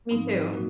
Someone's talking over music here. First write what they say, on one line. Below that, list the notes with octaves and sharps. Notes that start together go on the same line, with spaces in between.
Me too.
G#2 F3 C4 D#4
A#2 F#3 A#3 D#4 F#4